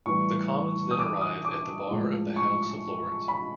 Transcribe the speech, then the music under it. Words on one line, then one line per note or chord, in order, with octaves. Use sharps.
The Commons then arrive at the Bar of the House of Lords.
A2 E3 G3 C#6
D#6
D6
D#6
D6
A2 F3 G#3
C#6
B5